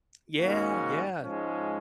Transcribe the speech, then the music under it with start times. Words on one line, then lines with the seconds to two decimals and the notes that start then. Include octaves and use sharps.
Yeah, yeah.
0.39 G#2 D#3 A#3 C#4 F#4
1.19 G#2 F3 G#3 C#4